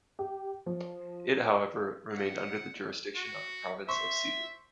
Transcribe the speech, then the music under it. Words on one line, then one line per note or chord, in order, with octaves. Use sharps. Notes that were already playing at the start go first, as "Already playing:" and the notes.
It however, remained under the jurisdiction of the province of Cebu.
G4
F3
F#5
F#4
C5 E5 C6 C#6